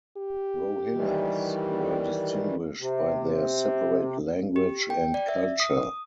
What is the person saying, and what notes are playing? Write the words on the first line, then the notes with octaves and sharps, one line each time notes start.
Rohillas were distinguished by their separate language and culture.
G4
D#3 E3 G3
C3
G4
G5
D5
E5
D#6